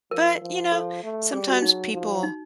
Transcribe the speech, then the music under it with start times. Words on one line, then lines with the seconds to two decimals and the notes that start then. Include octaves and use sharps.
But you know, sometimes people
0.11 F3 A#4
0.42 F3
0.72 A4
1.03 A3
1.33 G3 G#4
1.48 F#4
1.62 F#3 D#4
1.93 F3
2.23 D#4